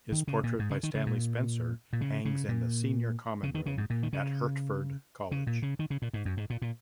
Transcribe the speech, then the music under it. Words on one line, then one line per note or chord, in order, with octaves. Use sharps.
His portrait by Stanley Spencer hangs in the Senior Common Room at Hertford College.
D#3
C#3
A#2
G#2
C#3
D#3
C#3
A#2
A#2
C#3
C#3
A#2
C#3
D#3
C#3
G#2
A#2
D#3
C#3
C#3
A#2
C#3
D#3
C#3
A#2
G#2
F#2
G#2
A#2
A#2